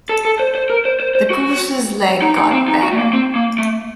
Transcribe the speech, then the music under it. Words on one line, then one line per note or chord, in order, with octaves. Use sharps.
The goose's leg got better.
A4
A4
C5
C5
A#4
C5
C5
C5
F#4
D#4
D#4
C4
D#4
F#4
A3
A#3
C4
A#3
A3